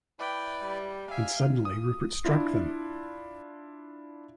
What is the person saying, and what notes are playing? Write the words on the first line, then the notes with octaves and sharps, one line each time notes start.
And suddenly Rupert struck them.
E4 B4 D5 G5
G3
E5 F5 G#5
D#6
D4 E4 F4